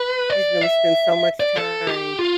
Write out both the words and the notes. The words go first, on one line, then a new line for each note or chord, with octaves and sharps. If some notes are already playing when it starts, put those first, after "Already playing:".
'cause, you know we spend so much time
Already playing: B4
D5
E5
D5
A4
G4
F4